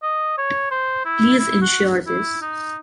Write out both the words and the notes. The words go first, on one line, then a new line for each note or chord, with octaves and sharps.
Please insure this.
D#5
C#5
C5
E4
E4
F#4
E4
D#4